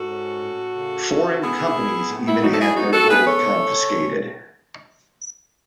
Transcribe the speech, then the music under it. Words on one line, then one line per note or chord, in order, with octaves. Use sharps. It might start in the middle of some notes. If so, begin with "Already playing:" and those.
Foreign companies even had their gold confiscated.
Already playing: G#2 F#4 A4
C#4
A2
C#3
C#3
B3 E4 G#4
B3
A2
E4
F#3 D#4 F#4
A4
E4 G#4
B3 D#4 F#4
F#4 A4
B3 G#4 B4
A4 C#5
C#3